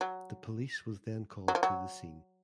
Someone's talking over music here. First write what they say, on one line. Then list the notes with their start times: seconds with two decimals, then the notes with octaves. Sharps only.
The police was then called to the scene.
0.01 F#3
1.48 F#3
1.55 F3
1.63 F#3